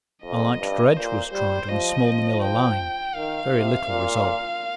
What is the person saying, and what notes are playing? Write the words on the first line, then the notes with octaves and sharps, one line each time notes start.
A light dredge was tried on a small manilla line--very little result.
F2 D#5
G2
A#2 C5
G3 C5
F3 D#5
F3
G5
D#3 F5
C3
A#2